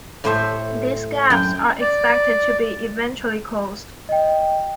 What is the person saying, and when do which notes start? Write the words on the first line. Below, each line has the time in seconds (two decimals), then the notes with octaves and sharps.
These gaps are expected to be eventually closed.
0.24 A2 A3 G4 C5 E5 A5
1.30 F#2 G5
1.81 D5
4.09 D#5 G5